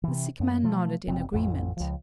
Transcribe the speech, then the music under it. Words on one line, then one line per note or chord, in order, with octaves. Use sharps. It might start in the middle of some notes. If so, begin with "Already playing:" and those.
The sick man nodded in agreement.
C3 E3
F#2 A#3
B2 F3 A3
F#1 C3 C4
A1 F2
C#2 F3